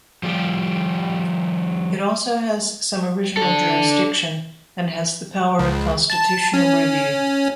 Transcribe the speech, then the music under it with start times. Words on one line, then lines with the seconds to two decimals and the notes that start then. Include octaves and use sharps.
It also has some original jurisdiction, and has the power of constitutional review.
0.23 F3 G3 G4
3.37 D4 A4
5.59 C#2
6.10 A5
6.54 C#4